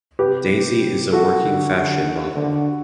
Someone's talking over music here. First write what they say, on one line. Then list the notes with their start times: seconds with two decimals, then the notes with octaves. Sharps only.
Daisy is a working fashion model.
0.19 C3 G4 B4
1.12 F#4 A4
1.43 D3
1.74 D3
2.36 D3